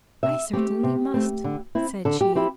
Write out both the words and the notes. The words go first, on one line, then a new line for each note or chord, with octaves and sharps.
"I certainly must," said she.
C3 E5
A3 C4 G4
C3
A3 C4
D3
C4 E4
D3 A4
G4
C4 E4 G4